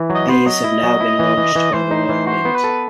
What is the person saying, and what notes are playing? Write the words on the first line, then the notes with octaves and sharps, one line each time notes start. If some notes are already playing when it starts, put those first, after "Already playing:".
These have now been launched by the Royal Mint.
Already playing: E3
F#3 D#5
B3 C5
F#3 D#5
E4
F#3
E4
E3
E3
E3
E3 C5
D#4
E3
F#4 C5
B3
B4
A4